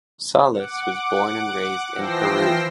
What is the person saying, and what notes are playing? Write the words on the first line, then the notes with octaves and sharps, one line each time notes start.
Salas was born and raised in Peru.
F#5 D6
E3 F3 G5 E6 A#6 C7